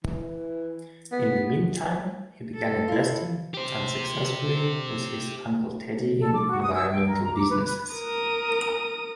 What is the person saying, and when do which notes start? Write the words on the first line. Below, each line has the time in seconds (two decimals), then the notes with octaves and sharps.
In the meantime, he began investing, unsuccessfully, with his uncle Teddy in environmental businesses.
0.04 E3
1.12 B3
2.54 A4
2.88 E4 F4
3.54 G4 C5
6.20 A4
6.33 D6
6.48 F#4
6.62 D#6
6.74 E6
6.93 G5
7.08 A#4
7.23 A#5
7.35 D6
7.49 B4
7.63 B4
7.94 A#4 D#6